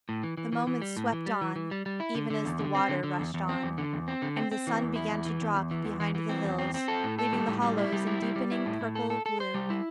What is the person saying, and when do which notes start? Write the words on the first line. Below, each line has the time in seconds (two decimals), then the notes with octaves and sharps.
The moments swept on, even as the water rushed on, and the sun began to drop behind the hills, leaving the hollows in deepening purple gloom.
0.09 A2
0.23 E3
0.37 E3
0.53 E3
0.67 E3
0.82 G3
0.97 A2
1.12 E3
1.26 G3
1.41 E3
1.56 E3
1.71 G3
1.86 G3
2.00 E4
2.15 D3
2.30 D3
2.45 E2
2.59 D3
2.75 C4
2.89 D3
3.03 D3
3.19 E2
3.34 E2
3.49 C4
3.63 E2
3.78 D3
3.93 E2
4.08 C4
4.22 D3
4.37 C4
4.51 C4
4.67 E3
4.82 E2
4.96 E4
5.12 E2
5.25 E3
5.41 E2
5.55 E2
5.71 E3
5.85 E2
6.00 E3
6.15 E3
6.29 C4
6.45 E2
6.59 C4
6.74 C4
6.88 A4
7.04 A2
7.19 A4
7.33 G3
7.47 A2
7.62 G3
7.78 E4
7.92 G3
8.07 E4
8.22 G3
8.36 G3
8.52 E4
8.66 A2
8.81 A2
8.95 A4
9.10 A4
9.26 A4
9.40 C5
9.54 G3
9.70 E4